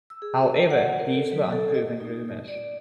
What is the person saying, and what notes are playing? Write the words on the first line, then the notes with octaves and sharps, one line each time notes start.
However, these were unproven rumours.
E6
G#4
F#4
F#5
A#4
A4
F#3
A4
D#5
D#4
D5